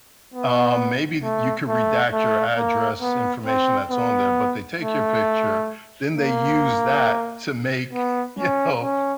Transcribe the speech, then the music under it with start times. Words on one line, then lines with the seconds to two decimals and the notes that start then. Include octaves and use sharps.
um, maybe y you could redact your address, information that's on there, but they take your picture, then they use that to make, you know,
0.34 B3
1.23 A3
1.69 A3
2.13 A3
2.58 A#3
3.02 B3
3.46 C4
3.91 B3
4.80 A3
6.15 A#3
7.93 B3
8.39 C#4
8.83 C#4